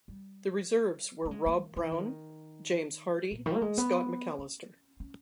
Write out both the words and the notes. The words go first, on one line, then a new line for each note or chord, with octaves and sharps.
The reserves were Rob Brown, James Hardy, Scott McAllister.
G3
A#3
G#3
A#3
D#3
E3
D#3
A#2
D#3
A#3
G#3
B3
C#4
C#4